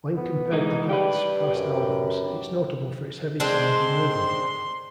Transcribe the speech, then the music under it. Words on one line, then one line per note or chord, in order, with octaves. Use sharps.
When compared to Gackt's past albums, it's notable for its heavy sound and rhythm.
B3
E3 G#3 D#4
G3 G4 B4
F#2
G#3 C4 D4 C6